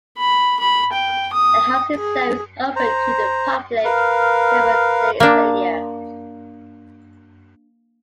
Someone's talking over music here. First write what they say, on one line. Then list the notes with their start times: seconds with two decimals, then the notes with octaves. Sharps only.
The house itself is open to the public several days a year.
0.18 B5
0.60 B5
0.92 G5
1.33 D#6
1.96 G#4
2.76 C5 A#5
3.85 A#4 B4 F5
5.20 A#3 D4